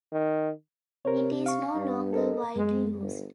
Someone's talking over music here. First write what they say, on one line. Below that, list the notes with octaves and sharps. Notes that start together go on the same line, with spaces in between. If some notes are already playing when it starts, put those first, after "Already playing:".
It is no longer widely used.
D#3
C3 A#4 C5 C#5
F5 C#6
G2
A4 A#4 D#5
F#2 G#3
G1